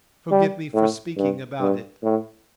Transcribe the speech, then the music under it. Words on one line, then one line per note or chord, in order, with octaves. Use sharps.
Forgive me for speaking about it.
G3
A2
G2
G2
A2